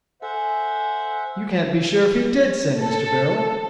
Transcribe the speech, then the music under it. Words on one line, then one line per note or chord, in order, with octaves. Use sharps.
"You can't be sure if he did sin, Mr. Beryl."
A4 C5 E5 F#5 G#5
A4